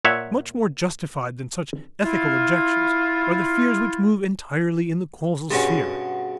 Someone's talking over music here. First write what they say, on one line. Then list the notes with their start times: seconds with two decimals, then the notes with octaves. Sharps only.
Much more justified than such ethical objections are the fears which move entirely in the causal sphere.
0.05 A#2 C#5 E5 F#5
2.04 E4 F4
5.50 G2 B2 C#4 G4 G#4 F#5